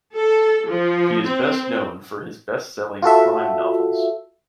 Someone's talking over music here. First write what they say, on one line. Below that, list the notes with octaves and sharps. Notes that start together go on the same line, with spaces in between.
He is best known for his bestselling crime novels.
A4
F3
C4
F4 F#4 A4 E5